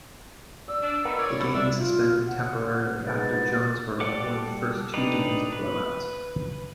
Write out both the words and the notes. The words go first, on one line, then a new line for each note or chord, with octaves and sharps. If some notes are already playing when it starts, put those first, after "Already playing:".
The game was suspended temporarily after Jonesboro won the first two games in blowouts.
D5 E6
D4
A#2 D#3 B3 A#4 F#5 B5
C#5 D5
B5
C2 C4 D4 D5 E5 E6
F4
F#5
G#2 B3 A6
G3 A4 D5 F#5 D6
D4 D#4 G4 B4
B4